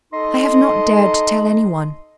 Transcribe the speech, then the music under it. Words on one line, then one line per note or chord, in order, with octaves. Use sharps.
I have not dared to tell anyone.
D#4 A4 D#5 C6